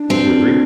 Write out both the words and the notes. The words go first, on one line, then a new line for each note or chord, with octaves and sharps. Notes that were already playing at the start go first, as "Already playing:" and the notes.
Would you agree?
Already playing: D4
C4